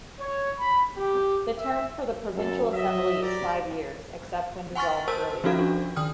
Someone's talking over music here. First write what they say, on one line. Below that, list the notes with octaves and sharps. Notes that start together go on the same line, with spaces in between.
The term for the Provincial Assembly is five years, except when dissolved earlier.
C#5
B5
G4
E5
F#2 A#3 A4
F#3 D#5 E5
G4 D5 A#5
F#5 G#5 C6 C#6 F6 A6
A#4 C5 A5 E6
F3 C#4 F4 F#4 A4 F5
D4
D#3 G5 D#6 F6